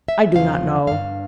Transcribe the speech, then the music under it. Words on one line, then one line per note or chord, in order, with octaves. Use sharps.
I do not know.
E5
E2 C#3 F3 F5
G2 E3 F5